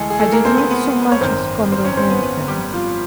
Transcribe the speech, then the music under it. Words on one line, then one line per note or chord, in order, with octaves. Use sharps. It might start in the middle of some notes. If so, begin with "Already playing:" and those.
I did not so much as comprehend them.
Already playing: D2 E3 G#3 A3 G#4 A4
G#4
A3 A4
A#3 A#4
C4 C5
B3 B4
B3 B4
C#5
G#1 F#2 D#3 C4 C5
C4 C5
C#4 C#5
C4 C5
B3 B4
B3 B4
G3 G4
F3 F4